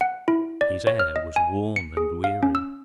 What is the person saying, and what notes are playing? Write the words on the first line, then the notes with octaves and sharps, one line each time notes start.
His air was worn and weary.
F#5
E4
D5
C#5
F6
D#5
G#5
C#7
G#4
F5
C#4
E6